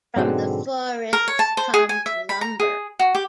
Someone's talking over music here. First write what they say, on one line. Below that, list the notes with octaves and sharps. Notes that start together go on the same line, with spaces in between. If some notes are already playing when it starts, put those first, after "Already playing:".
From the forests comes lumber.
G#2 B2 D3 F#3 G#3 C4
A#4
C#5
A5
C5
G#4
G#5
E5
B5
A#5
G#4
F#4
G4